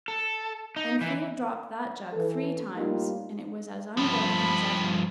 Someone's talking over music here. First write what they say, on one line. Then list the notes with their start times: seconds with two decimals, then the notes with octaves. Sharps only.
Anthea dropped that jug three times, and it was as unbroken as ever.
0.08 A4
0.76 D#4
1.01 E3
2.13 E3 A4
2.76 A2 G3 A#3 D#4 F4 G4
3.97 G2 F3 B5